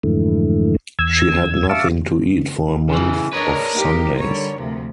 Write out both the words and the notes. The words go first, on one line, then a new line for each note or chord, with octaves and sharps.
She had nothing to eat for a month of Sundays.
F2 G#2 D3 E3 A3
E2 E6 G#6
E5 F5 A5 C#6 D6 E6
C#3 E3
D4 A#4 B4 C#5 D#5
A#3 D#4 G4
D3 G3 C#5
D2 C3 F3